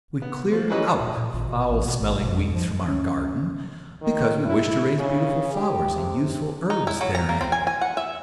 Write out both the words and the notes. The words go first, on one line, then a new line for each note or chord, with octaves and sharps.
We clear out foul-smelling weeds from our garden, because we wish to raise beautiful flowers and useful herbs therein.
B3
F3
E3 F#3 G3 C#4 B4 D#5
A#2
A#2
G#1
B2
A1
B2
G#1
B2
F2
F2
F3
C#4
D#3
E4
C#3
G4
C3
D#4
E4
F#3
A#5
A#3
C4
G#5
G#5
F#5
E5